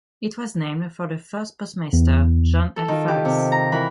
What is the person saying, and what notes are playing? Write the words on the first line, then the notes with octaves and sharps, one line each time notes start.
It was named for the first postmaster, John L. Farris.
E2
A4
D#3 F4
G4
C3
A#5
E3 A#4 B5